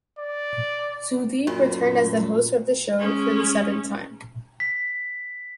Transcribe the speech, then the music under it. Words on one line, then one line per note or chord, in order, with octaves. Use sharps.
Sudeep returned as the host of the show for the seventh time.
D5
F#2 A#2 A#3 F#4
G#3 C#4
B6